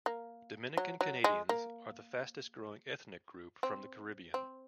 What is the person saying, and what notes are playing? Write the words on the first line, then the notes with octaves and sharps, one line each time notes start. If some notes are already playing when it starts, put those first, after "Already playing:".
Dominican Canadians are the fastest growing ethnic group from the Caribbean.
A#3
F#3
F#3
G#3
A#3
C4
C4